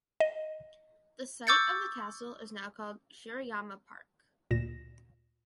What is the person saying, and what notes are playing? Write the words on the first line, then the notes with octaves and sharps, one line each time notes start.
The site of the castle is now called Shiroyama Park.
D#5
C#6 D6 E6 G6 A6 C#7
D2 A#2 A#6 E7